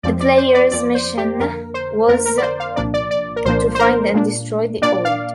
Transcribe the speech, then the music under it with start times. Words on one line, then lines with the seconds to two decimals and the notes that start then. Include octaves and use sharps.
The player's mission was to find and destroy the orb.
0.03 F2 F3 C4 D5
0.20 D5
0.37 C5
0.55 D5
0.71 F2 F3 C4 D5
0.95 C5
1.18 G4
1.40 F2 D3 A#3 A#4
1.74 C5
2.08 F2 D3 A#3 A#4
2.25 A#4
2.38 D5
2.42 C5
2.60 F5
2.76 C2 A#2 F3 A#3 D4 D5
2.94 D5
3.11 D5
3.36 A#4
3.45 C2 A#2 F3 A#3 D4 C5
3.75 C5
3.79 A#4
4.14 A#2 A#3 D4
4.82 A#2 A#3 D4 D5
5.05 F5